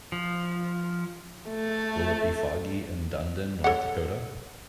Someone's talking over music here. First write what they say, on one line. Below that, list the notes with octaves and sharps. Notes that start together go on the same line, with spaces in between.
Will it be foggy in Dunedin North Dakota?
F3
A3
A4 C#5 F#5